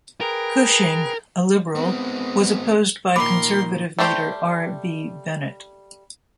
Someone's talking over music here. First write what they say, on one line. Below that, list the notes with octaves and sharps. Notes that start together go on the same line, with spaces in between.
Cushing, a Liberal, was opposed by Conservative leader R. B. Bennett.
G#4 A#4 B4 G5
G#3 B3 C4
A#2 D#3 A#4 B5 C6 D6
G3 A3 G4 C5